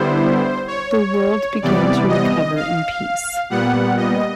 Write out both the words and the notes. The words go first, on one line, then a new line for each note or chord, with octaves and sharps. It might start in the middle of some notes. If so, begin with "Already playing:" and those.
The world began to recover in peace.
Already playing: D3 G3 B3 E4 C5
C#5
C3 E3 G3 B3 D5
D#5
F5
A#2 G3 B3 F#5
D#5